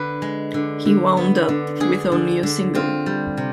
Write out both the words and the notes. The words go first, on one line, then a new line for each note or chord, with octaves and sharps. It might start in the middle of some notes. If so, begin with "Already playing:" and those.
He wound up with only a single.
Already playing: D3 B3 B4
G#3
D3
D3
B3
D3
D3 G#4
D3
D3
C4 F4
G3
C3